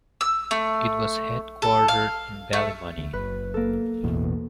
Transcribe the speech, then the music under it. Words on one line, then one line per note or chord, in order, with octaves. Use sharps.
It was headquartered in Ballymoney.
E6
A3
A4
F5
A3
D2
F#1 B4
A#3 A4
A1 E2 B2